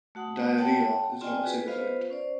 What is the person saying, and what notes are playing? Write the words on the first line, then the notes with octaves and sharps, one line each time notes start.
Diarrhea is not a side effect.
A3 F#4 F#5 D#6
C#5 F#5 G5 A5
C4 F4 D5 D#5 G5 G#5
F#4 G#4 B4
B3 F4 B4 C5 D#5 F5
C#4 C5 D5